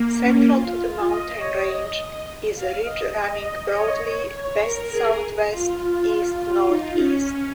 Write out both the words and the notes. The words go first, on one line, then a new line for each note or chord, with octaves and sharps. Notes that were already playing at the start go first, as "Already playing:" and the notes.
Central to the mountain range is a ridge running broadly west-south-west - east-north-east.
Already playing: A#3
C#4
F4
F4
D#5
C#5
D#5
D#5
F5
D#5
D#5
C#5
A#4
G#4
F4
F4
D#4
C#4